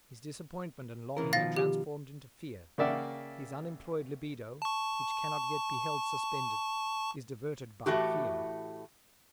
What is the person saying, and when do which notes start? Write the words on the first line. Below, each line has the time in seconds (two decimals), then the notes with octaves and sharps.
His disappointment and longing are transformed into fear, his unemployed libido, which cannot yet be held suspended, is diverted by fear.
1.17 C#3 E3 A#4
1.33 B2 D#3 F3 F5 A6 A#6
1.56 G4
2.78 C#3 A#3 D5 E5 F#5 G5
4.62 A5 C#6
7.86 A2 E3 A3 F#4 G4